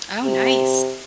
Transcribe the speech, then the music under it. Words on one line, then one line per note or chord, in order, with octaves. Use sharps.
Oh, nice.
C3